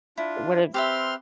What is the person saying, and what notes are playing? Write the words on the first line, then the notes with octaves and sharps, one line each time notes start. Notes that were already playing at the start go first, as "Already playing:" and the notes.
It would've
D4 E4 F4
C4 G4 B4 E5 C6 F6